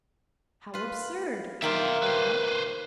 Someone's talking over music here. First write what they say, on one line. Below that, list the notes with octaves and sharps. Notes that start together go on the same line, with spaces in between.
"How absurd!" cried Cobalt.
F4 B4
D#3 A#3 F4 E5 G5
B4 C5